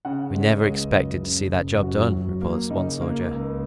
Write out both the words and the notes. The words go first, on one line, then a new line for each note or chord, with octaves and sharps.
"We never expected to see that job done," reports one soldier.
C#3 F#5
G#3
C#5
D#5
C#2
F#2
C#3
F#1
F#2 F#4
F#3
A#3
C#3 D#4
A#3
C#2